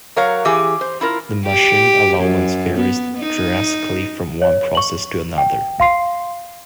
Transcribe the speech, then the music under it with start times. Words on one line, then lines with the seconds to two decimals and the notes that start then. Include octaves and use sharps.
The machining allowance varies drastically from one process to another.
0.16 F#3 A#4 C#5 F5
0.45 E3 G4 G#4
0.81 C5
1.01 E4 F4 A#4
1.47 G4
2.19 F#2
2.77 B3
3.18 D#4
4.42 C#5
4.75 C#6 F#7
5.38 G5
5.80 F5 C6 C7